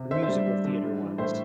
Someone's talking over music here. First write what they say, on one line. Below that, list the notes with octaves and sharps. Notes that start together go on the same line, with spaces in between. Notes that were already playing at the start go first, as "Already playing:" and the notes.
The musical theater ones.
Already playing: C3
D3 C5 E5
C5 E5
G3
G3
D3
G3
E3
A2 C5 E5